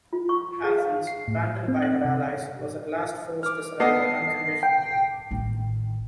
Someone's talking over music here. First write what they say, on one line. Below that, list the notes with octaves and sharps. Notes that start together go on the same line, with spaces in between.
Athens, abandoned by her allies, was at last forced to surrender unconditionally.
F4
C#6
G#4
F5
C7
A2
C4
F#6
C3
D6 F6
B3 A4 D#5 A5 D6 A#6 C7
G5
A1 D#3